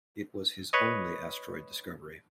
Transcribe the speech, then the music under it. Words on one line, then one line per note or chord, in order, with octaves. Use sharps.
It was his only asteroid discovery.
B4 C#5 D#5